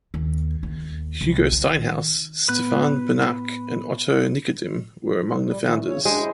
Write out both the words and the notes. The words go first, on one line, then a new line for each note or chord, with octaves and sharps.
Hugo Steinhaus, Stefan Banach and Otto Nikodym were among the founders.
D#2
D#2
C2
D#3
A2 B3 B4 F#6
G3
D#3 E3
C#3 C#5
F#2 G#3 D4 G5
E4 C5